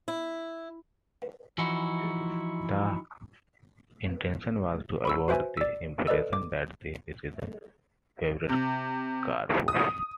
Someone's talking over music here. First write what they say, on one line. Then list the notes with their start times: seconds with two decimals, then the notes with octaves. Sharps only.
The intention was to avoid the impression that the decision favoured Karpov.
0.08 E4
1.58 E3 F3 D#4 E4 F#4
5.05 B5 C#6 E6
5.28 F#4 B4 C5 E5 G#5
5.57 D5 E6
6.07 A4 B4 D5 D#5 E6
6.33 D6
8.49 C3
9.68 D#6